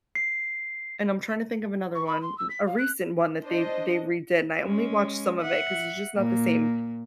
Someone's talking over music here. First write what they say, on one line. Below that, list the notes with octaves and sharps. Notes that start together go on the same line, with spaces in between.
and I'm trying to think of another one, r a recent one that they they redid, and I only watched some of it, 'cause it's just not the same,
C7
C#6
B5
C6
E6
B6
F5
F#6
D4 C5 D#5
G#3 C#4
E5 F#5
A#2 A#3